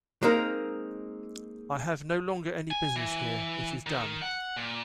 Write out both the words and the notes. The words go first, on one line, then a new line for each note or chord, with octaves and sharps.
I have no longer any business here; it is done.
G#3 A#3 C4 D#4 A#4
G#5
E3
D#3
F#5
A#2